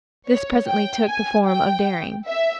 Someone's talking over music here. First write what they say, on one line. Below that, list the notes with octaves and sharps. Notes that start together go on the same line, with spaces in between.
This presently took the form of "daring."
C#5
G5
G#5
G5
E5